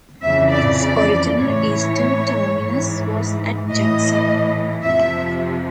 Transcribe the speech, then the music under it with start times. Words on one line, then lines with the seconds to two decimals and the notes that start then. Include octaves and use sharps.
Its original eastern terminus was at Jackson.
0.22 F2 C#3 E3 E5
0.50 D5
0.80 D5
1.37 A2 E3 C#5
2.54 G#2 E3
3.68 A2 E3 D#5
4.83 F2 C3 F3 E5